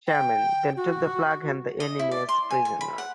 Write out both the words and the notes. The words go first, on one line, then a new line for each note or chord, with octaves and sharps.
Sherman then took the flag and the enemy as prisoner.
G5
F#4
D#5
E4
D5
C6
G#5
G#5
B5
F#5